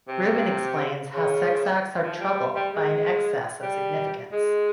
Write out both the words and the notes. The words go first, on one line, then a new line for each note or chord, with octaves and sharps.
Rubin explains how sex acts are troubled by an excess of significance.
C3
C#3
F3
G3
G3
G#3
G3
G#3